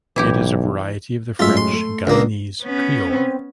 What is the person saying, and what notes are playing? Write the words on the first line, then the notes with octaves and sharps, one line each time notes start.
It is a variety of the French Guianese Creole.
B1 E3 E4 G4
F#2 A2 G#3 F4 E5
C6
A3
C#2 A#3 D4
B3 C#4
C4